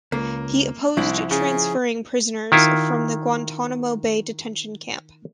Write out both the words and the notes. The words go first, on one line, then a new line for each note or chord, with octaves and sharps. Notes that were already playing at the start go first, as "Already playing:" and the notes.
He opposed transferring prisoners from the Guantanamo Bay detention camp.
C#2 A#3
C2 F3 E4
C#3 G#4
D#3 E4 F4